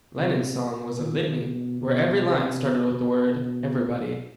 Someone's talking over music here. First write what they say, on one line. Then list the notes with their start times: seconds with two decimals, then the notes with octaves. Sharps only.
Lennon's song was a litany where every line started with the word "everybody".
0.17 C3
0.98 D#3
1.40 B2
1.81 B2
2.22 C3
2.62 B2